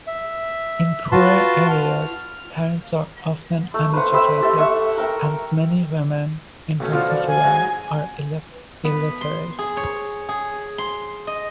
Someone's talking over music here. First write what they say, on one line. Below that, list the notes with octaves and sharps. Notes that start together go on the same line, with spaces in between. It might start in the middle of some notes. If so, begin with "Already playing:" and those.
In poorer areas, parents are often uneducated, and many women, in particular, are illiterate.
E5
F4 F#4 B4 A5 C6
F6
A3
B4 C5 F#5
C5 G5 B5 E6
G4 A4 E5
E5 F#5 C#6
A#4 G5
B1 A3 C#4
B2 D3 F3 F4
D5
G#5
G#2 F#3
B3
C6
G#4
C#5
G#4
C6
D#5